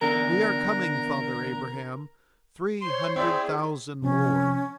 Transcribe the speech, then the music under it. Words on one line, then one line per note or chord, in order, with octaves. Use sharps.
"We are coming, Father Abraham; Three hundred thousand more."
E2 D3 A#4
C5 C#5 C6
C4 E4 G#4 D5 E5
C3 F3 C4 C#4